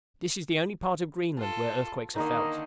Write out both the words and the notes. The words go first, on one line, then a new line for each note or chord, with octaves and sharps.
This is the only part of Greenland where earthquakes are felt.
F4 A4 A5
D3 D#3 A#3 D#4 A#4 D#5